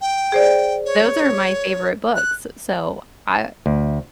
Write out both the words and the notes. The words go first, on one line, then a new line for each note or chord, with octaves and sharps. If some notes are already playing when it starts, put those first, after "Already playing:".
Those are my favorite books, s so I
G5
G#4 C5 D5
C#5
F#6
D2